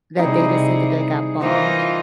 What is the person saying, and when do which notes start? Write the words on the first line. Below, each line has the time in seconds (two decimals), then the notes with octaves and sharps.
That data center that got bombed,
0.18 C3 G3 D#4 E4 G#4
1.41 E3 A#3 D#4 F4 C5 E5